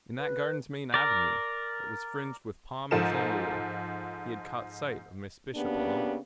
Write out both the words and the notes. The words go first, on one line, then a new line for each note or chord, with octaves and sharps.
In that garden's main avenue, that was fringed with palm and sandalwood, he had caught sight of Miss Bishop alone.
B4
A#4 D5
G#2 F3 A4 A#4 E7
C#3 A#3 B3 D4 G4